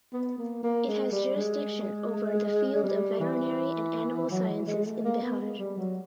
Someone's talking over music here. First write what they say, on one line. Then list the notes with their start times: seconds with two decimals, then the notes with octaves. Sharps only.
It has jurisdiction over the field of veterinary and animal sciences in Bihar.
0.13 B3
0.38 A#3
0.63 A#3
0.87 G#3
1.12 G3
1.37 G#3
2.76 G#3
2.83 G3
3.20 E3
4.31 F#3
4.49 E3
4.67 G#3
4.85 A3
5.04 A#3
5.22 B3
5.41 G#3
5.59 G3
5.78 F#3